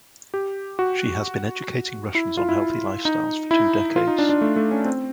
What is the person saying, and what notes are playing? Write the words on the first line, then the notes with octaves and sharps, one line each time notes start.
She has been educating Russians on healthy lifestyles for two decades.
G4
F#4
E4
F4
E4
D#4
E4
F4
D#4
D4
D4
A3
A3
C#4
C4